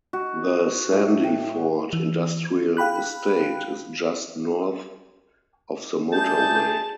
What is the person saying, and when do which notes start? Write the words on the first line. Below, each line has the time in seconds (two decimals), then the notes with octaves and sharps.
The "Sandyford Industrial Estate" is just north of the motorway.
0.13 F#4
0.92 A2
1.24 G5
1.93 E3
2.77 F5 G5 B5 F#6
6.13 A3 D4 G#4 A5 G6